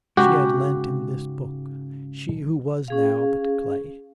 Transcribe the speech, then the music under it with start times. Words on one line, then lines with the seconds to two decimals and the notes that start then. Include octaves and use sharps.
She had lent him this book--she who was now but clay.
0.17 G#2 C#3 G#3 F#4 G4
2.88 C#4 G#4 F5